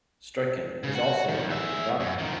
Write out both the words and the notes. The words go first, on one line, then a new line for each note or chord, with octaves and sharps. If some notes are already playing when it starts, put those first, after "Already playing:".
Struycken is also an avid photographer.
C#3
F#4
D#3 G3
G#4 E5
F#2
D#3 F3